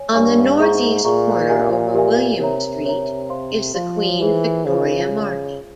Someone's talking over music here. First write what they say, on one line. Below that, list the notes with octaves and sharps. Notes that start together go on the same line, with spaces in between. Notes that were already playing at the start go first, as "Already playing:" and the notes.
On the northeast corner over William Street, is the Queen Victoria Market.
Already playing: C#5 G#5
G2 C#5 E5 G#5 C#6
G#2 G#4 E5 A#5 C#6
A#2 G#4 E5 A#5 C#6
G4 A#4 E5 G#5
G4 A#4 E5 G#5
C3 A#4 C#5 E5 A#5
A#4 C#5 E5 A#5
C5 F5 C6
F3 C5 F5 C6
E3 F4 G#4 C5
C#3 F4 G#4 C5